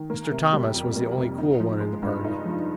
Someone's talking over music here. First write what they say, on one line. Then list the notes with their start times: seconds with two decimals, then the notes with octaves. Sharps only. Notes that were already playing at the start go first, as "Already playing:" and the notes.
Mr. Thomas was the only cool one in the party.
Already playing: D#3
0.10 A#3
0.32 C3
0.53 G3
0.74 F2
0.96 A#3
1.17 C3
1.38 D#4
1.60 F3
1.81 G#3
2.02 G2
2.24 D#4
2.45 F3